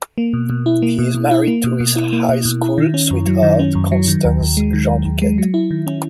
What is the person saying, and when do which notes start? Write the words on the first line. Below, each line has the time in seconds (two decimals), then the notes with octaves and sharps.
He is married to his high school sweetheart, Constance Jean Duquette.
0.18 A#3
0.33 B2
0.50 B2
0.66 E4
0.82 A#3
0.99 B2
1.15 B2
1.31 E4
1.48 A#3
1.64 B2
1.80 B2
1.96 E4
2.13 A#3
2.29 B2
2.45 B2
2.62 E4
2.78 D#3
2.94 C#4
3.11 F#2
3.27 F#3
3.43 D#3
3.59 C#4
3.75 F#2
3.92 F#3
4.08 D#3
4.25 D#2
4.41 D#2
4.57 G#3
4.73 D#3
4.89 D#2
5.05 D#2
5.22 G#3
5.38 F#3
5.54 E4
5.71 D#3
5.87 C#4